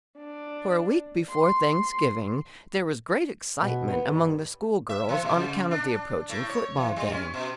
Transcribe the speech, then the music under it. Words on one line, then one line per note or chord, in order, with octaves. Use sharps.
For a week before Thanksgiving there was great excitement among the schoolgirls on account of the approaching football game.
D4
C6
B2
B3
G2
E5
E3
B2
C#3
D4
A2
C#5
E3
G3
C#4
B2